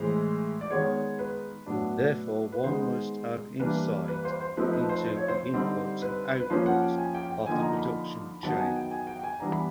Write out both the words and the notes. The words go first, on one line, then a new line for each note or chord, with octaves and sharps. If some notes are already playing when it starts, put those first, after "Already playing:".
Therefore one must have insight into the inputs and outputs of the production chain.
Already playing: A2 E3 G#3 C5
D5
D#3 G#3 B3 C#5
B4
A2 F#3 B3 D4
B4
D#3 G#3 B3 D#4 C5
E3 G3 A#3 D4 B4
B4
C5
C5
F3 A3 C4 D#4 B4
B4
C5
C5
C#5
C5
D3 G3 C4 D#4
B4
B4
F3 A#3 C#4 C5
F#5
G5
G#5
G5
G5
D3 F3 A#3 D#4 G#5
A#5
B5
D#3 F#3 B3 D#4 A5
G#5
G5
G#5
G5
G5
G#5
E3 G3 B3 D4 A#5
B5